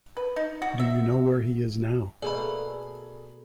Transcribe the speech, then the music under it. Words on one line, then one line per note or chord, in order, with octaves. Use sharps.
Do you know where he is now?
B4
D#4
F#4
E5
B2 A3 A#3 G#4 A4 D5 B5